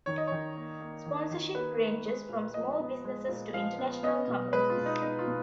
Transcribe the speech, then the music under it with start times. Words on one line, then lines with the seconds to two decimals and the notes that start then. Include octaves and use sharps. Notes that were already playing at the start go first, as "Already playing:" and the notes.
Sponsorship ranges from small businesses to international companies.
0.06 D#3 C#5
0.18 D#5
0.27 D#3 C#5
0.56 A#3
0.81 A#3
1.06 D#3
1.31 D#3
1.55 A#3 B4
1.80 A#3
2.05 G#3
2.29 A#2
2.54 F3 D#5
2.80 B3
3.05 G#3
3.28 A#2
3.54 F3 F5
3.78 B3
4.03 B3 D#5
4.28 B2
4.53 G#3 B4
4.70 F4
4.77 B2
4.86 D#4
5.02 B3 D#4
5.19 F4
5.27 B2